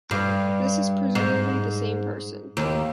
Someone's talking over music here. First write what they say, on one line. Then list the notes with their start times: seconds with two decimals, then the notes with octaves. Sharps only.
This is presumably the same person.
0.11 G2
1.15 G#2
2.57 D#2